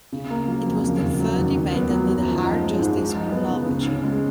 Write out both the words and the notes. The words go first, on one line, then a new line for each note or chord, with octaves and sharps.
It was the third event under the Hard Justice chronology.
C#3
A#3
F#3
F2
C#3
D#2
F#3
D#2
D#3
B3
F#3
F#2
F3
D#4
G#3
G#2
F3
D#4
B3
C#3
C#3
C#4
G#3